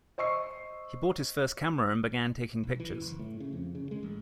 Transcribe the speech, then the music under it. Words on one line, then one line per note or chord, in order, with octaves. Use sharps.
He bought his first camera and began taking pictures.
C5 D#5 C#6 E6 C7
B1
E3
F#1
A2
C#3
F2
C#3
G#3
A1